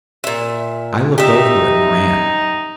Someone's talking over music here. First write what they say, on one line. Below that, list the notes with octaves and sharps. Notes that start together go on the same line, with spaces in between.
I looked over at Moran.
A#2 E5
D#4 G4 E5